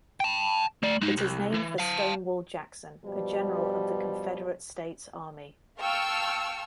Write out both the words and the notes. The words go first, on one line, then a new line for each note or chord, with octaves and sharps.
It is named for Stonewall Jackson, a general of the Confederate States Army.
G5 A5
A3 D5
G#3 D#4
C2
E3
F5 A5
G2 B2 F3 G3
F5 G5 A5 C#6 E6 F6